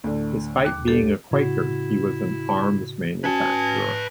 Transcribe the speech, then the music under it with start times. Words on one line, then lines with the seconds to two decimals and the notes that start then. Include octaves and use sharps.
Despite being a Quaker he was an arms manufacturer.
0.04 D2 A2 D3
0.65 D#2 D6
0.87 G2 G4 A4
1.31 A2 C#3 E4 F#4
3.24 C#4 F#4 B4 G#5 A5